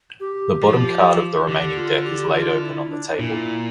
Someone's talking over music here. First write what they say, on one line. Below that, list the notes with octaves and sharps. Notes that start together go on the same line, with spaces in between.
The bottom card of the remaining deck is laid open on the table.
G4
F3
D3 G4
F4
G4
F4
E4
D4
A#2 E4